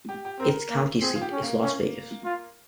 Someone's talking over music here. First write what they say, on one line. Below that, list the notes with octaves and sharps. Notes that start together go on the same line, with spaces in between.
Its county seat is Las Vegas.
G4
G4
C4 A#4
A#3
C4 G#4
F4
G4
C#4
A#3
C#4
F4